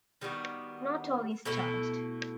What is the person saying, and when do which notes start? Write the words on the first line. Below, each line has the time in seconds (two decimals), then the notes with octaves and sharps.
No toll is charged.
0.21 D#3 G3 B3 F#4
1.45 B2 A3 E4 A4